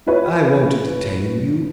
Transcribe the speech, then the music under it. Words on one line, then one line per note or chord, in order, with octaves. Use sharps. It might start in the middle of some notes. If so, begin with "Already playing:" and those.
I won't detain you.'
E4 F4 B4 C#5